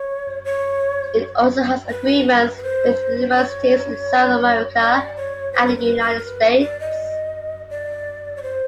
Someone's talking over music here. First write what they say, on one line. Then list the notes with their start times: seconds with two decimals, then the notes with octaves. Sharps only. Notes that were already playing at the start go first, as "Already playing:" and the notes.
It also has agreements with universities in South America and the United States.
Already playing: C#5
0.45 C#5
1.90 B4
2.57 B4
2.63 C5
3.31 C5
3.36 C#5
4.80 D5
5.17 C#5
5.53 C5
5.67 A#4
5.77 B4
6.01 A#4
6.18 A#4
6.25 B4
6.61 D5
6.80 D#5
7.70 D5
8.36 C#5
8.43 C5